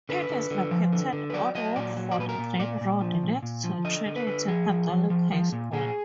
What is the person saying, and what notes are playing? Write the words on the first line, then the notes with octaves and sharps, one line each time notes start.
It is located on Woodford Green road next to Trinity Catholic High School.
D3 B4
D3
D3
F3
D3
D3
B4
F#3 D5
F#3 D#5
A#2 D5
F#3
D5
A#2 B4
A#4
A#2
A#2 D5
A#2
F3
A#2
A#2
F3
D3 D#5
D3
B4
D3
F3 G#4
F3
F3
F3
F3
A#2
A#2 G#4